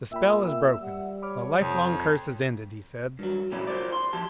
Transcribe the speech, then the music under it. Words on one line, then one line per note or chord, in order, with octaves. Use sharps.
"The spell is broken, the life-long curse is ended!" he said.
A#2 E5 G5 B5 E6
E5
G3 F#5
C#5 B5 D6 F6
F2 C3 D#6
G2 F#3
A2 C#3 F#3 G3 C#4 E4
F4 C5 D5
C6
F3 G4 A5